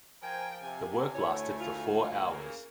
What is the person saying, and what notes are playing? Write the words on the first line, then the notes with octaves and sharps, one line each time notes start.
The work lasted for four hours.
F3 A#4 C5 G5 G#5
C3 G#5
D2 A3 E4 C#5
F4
C#3 A#3